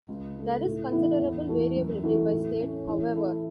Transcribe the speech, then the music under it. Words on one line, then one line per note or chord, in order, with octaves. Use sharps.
There is considerable variability by state, however.
C#2
C#3 A3
A2
E3 B3 E4
E2
E3 A3 F#4 A4
F#2
E3 A3 F#4 A4
A2
A3 C#4
E3
A3 E4 A4